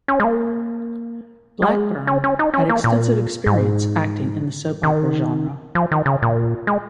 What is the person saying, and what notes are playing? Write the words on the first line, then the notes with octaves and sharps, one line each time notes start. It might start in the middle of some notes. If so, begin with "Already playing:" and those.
Blackburn had extensive experience acting in the soap opera genre.
C#4
G#3
A#3
G#3
C#4
C#4
D#4
C#4
A#3
A#2
G#2
D#3
F3
D#3
C#3
A#2
G#3